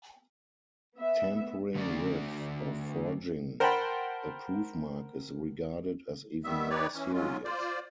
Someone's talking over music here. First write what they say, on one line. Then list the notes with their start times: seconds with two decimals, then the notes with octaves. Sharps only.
Tampering with, or forging, a proof mark is regarded as even more serious.
0.98 B3 E5
1.75 D3 A3 D4 F#4 D5
3.60 A#4 C5 F#5 G5 A5 B5
6.44 D#3 G3 B3 E5
6.70 D#4 G4 B4 C#5 D5
6.94 E3 C#4
7.13 F#3 G#3 C#4 F4
7.45 F4 C5 D5